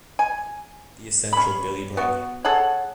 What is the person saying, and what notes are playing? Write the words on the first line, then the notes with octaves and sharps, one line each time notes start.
The Essential Billy Bragg.
G#5
C#4 B5
B3 F#4
G#4 A4 C#5 F#5